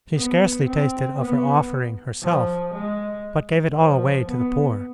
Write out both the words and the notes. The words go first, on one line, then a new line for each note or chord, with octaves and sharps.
She scarcely tasted of her offering herself, but gave it all away to the poor.
B3
C4
B3
F3
G#3
F3
B3